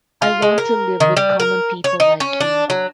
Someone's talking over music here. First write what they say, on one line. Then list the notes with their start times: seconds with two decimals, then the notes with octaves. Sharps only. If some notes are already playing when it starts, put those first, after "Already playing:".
I want to live with common people like you.
0.22 F4
0.42 G#3
0.58 A#4
1.00 D#3
1.17 G3
1.40 A#4
1.84 C#5
2.00 D#4
2.20 C#4
2.40 D4
2.70 F#3